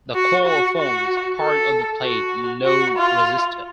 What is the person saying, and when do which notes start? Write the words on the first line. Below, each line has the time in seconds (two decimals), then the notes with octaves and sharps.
The coil formed part of the plate load resistor.
0.15 F#4
0.46 F#4
0.77 F#4
1.40 A4
2.03 F#4
2.66 F#4
2.97 F4